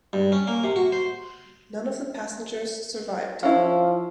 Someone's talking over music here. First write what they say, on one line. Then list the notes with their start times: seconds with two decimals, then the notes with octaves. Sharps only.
None of the passengers survived.
0.13 G2
0.32 C#4
0.47 A#3
0.64 C3
0.76 F#4
0.92 C5
3.43 F3 C#4 E4 F5